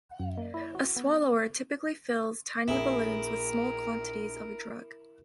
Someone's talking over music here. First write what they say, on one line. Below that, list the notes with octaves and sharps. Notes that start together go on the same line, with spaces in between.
A swallower typically fills tiny balloons with small quantities of a drug.
F#2
A#3
E4
F#4
B3
A#1 E4 G#4 A#4